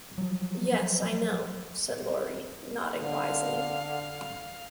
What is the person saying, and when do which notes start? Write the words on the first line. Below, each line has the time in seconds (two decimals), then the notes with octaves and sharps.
"Yes, I know," said Laurie, nodding wisely.
0.18 F3 F#3
3.01 D3 F5